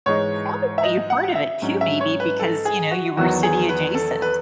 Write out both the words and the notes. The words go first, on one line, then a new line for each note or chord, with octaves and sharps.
probably why you heard of it too maybe because, you know, you were city adjacent.
G#2 E3 G#3 D#4 C#5
E5
D#5
F#5
E5
G#2 F#3 C#4
E5
C#5
B4
A4
G#4
F#4
E2 D#3 F#3 B3 F#4
G#4
B4
A4
B4